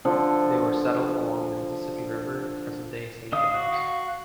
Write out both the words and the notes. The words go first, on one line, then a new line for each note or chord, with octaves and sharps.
They were settled along the Mississippi River in present-day Saint James.
D3 F3 A4
D3 D#5 F5 D#6
F#4
F5